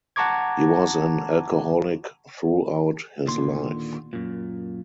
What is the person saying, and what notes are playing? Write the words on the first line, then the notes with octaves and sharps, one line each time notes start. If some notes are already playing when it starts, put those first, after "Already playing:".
He was an alcoholic throughout his life.
F#5 A5 A#5 C#6 D6 G#6
D#2 A#2 D3 C6
F#2 A#2